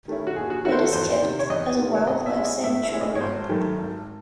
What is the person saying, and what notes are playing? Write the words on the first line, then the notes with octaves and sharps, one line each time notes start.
It is kept as a wildlife sanctuary.
D#3 A3 C#4 E4
F#4
D#2 G#4
F#4
D#3 A3 C#4 E4 F#4
C5
A4
E2 C5
C3 D#3
C#5
E2 D#5
C3 D#3
C#5
A2 D#5
E5
G#3 C#4 E4
D#5
A2 E5
E5
G#3 C#4 E4
D#5
C#5
G#1 C5
F#2 D#3 A3
G#1